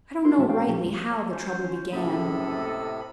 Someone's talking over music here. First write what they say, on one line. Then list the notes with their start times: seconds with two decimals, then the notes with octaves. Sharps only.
I don't know rightly how the trouble began.
0.25 D4 E4 F#4 A#4 C6
0.37 A2 E3 G#3 F#4 E5 A5
0.49 A3 C#4 C5 F5 G5
0.67 A#2 F3 A3 C4 G4
0.82 D#2 G#3
1.10 G#4 A4 C#5
1.30 C#4 C5
1.92 F#1 A2 C3 A3 A4 D#5 B5